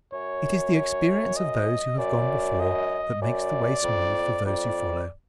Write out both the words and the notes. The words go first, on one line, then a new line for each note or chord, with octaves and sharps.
It is the experience of those who have gone before that makes the way smooth for those who follow.
F#2 C#5
C#5
D#5
F#2 D5
D#5
F#2 D5
F2
F2 D5